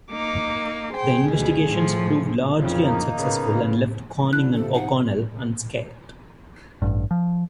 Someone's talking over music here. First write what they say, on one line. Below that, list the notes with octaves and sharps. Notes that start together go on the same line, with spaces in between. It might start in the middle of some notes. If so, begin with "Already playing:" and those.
The investigations proved largely unsuccessful and left Corning and O'Connell unscathed.
A#3 D#4 D6
G#4 C5 G5
D2 B2
A2 F3
F2 A#2 C#3 F3
A#3 D#4
C#3 B3
D3 D4 E4 F#6
C3 F3 A4
D#4 F#5
A1 G2
F3